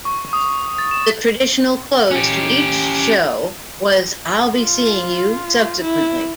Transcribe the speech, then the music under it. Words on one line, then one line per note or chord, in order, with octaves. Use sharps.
The traditional close to each show was "I'll be seeing you subsequently.".
C#6
D#6
A6
E7
C#4 G4
F4
E4